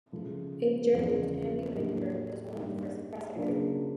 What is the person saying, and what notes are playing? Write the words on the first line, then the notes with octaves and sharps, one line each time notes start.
A German named Henry Wickenburg was one of the first prospectors.
C#3 F3 A3
E2 C#3 F3
A2 F#3 A#3 D4 G4
G2 D#3 G3 A#3 D#4
C#3 F#3 A#3 D4 F4